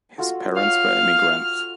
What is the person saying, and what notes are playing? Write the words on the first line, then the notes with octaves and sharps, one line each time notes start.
His parents were immigrants.
F4 F#4 A4
C#5 F5 F6